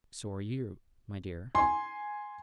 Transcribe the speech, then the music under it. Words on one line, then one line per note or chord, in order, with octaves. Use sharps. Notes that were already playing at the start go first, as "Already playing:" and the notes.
So are you, my dear.
G#5 C6